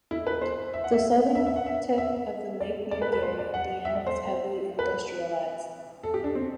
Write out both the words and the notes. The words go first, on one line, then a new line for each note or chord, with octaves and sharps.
The southern tip of the lake near Gary, Indiana is heavily industrialized.
E4
B4
C5
E5
F#5
E5
E5
E5
F#5
E5
E5
D5
D5
B4
B4
C5
D5
F#5
E5
D5
C5
B4
A4
G4
D4
C4